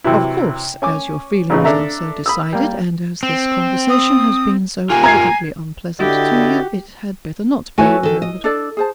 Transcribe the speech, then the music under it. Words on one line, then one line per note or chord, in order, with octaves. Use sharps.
'Of course, as your feelings are so decided, and as this conversation has been so evidently unpleasant to you, it had better not be remembered.
C3 E3 F#3 E4
C#4 G#5 D6
A1 A#2 C#3 D#4 B4
D4 A4 E5 A#5
B5 D#6 E6
G3 A#3
C4
D#6
F4 G4 A#4 G#5
A#5 G#6 C7
D3 E4 F#4 G4 D5 D#5
A3 E4 F#4 B4 C#5 G#5
D#3 A4
D#5
D4 A4 D5
G#4 C5 A5